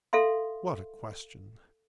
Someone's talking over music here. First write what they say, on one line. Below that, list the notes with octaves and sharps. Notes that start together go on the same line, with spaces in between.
"What a question!"
A4 E5 F5 C6